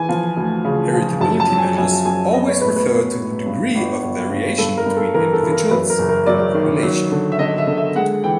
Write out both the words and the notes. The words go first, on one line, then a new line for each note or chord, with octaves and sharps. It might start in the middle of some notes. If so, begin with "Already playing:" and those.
Heritability measures always refer to the degree of "variation between individuals in a population".
Already playing: E3 G#5
F3
D2
C#3
F3
F#2 A5
A5
F#3
G#5
F#2 G#5
F#2 G#5
B3 D#5
C#5
A2 B4
B4
B3
A2
G2
G1
G1
G2
G2 A4
A#4
G2
A4
E3 A#4
A4
E3
A#4
F#2 B4
A#4
F#1
A#4
F#3 D5
D#3
F#3
D3
E5
D3 D#5
E5
D3
E5
G#3 F#5
E3 G5